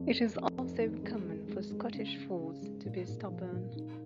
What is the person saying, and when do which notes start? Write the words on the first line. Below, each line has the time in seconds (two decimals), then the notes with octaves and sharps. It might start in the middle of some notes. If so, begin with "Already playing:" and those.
It is also common for Scottish Folds to be stubborn.
Already playing: F2
0.11 F1
0.35 F1
0.57 F1
0.80 D#3
1.03 G#3
1.25 G#3
1.48 G#3
1.71 G#3
1.94 C#3
2.17 C#3
2.40 C#3
2.62 G#3
2.85 A#2
3.08 A#2
3.30 F3
3.53 A#2
3.76 D#4